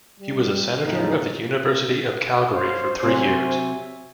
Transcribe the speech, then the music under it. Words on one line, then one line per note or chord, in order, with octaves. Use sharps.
He was a Senator of the University of Calgary for three years.
G3
E2 A2 C#3 D#4
C5 C#5 F5
C3 F#3 E5 G#5